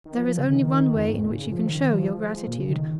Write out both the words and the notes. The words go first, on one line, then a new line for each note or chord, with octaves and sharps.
There is only one way in which you can show your gratitude.
D#3
F3
F3
C#3
D#3
F2
G#2
A#2
C#3
F3
D#3
D#3
F3
F3
F3
G#3
F3
A#2
C#3
D#3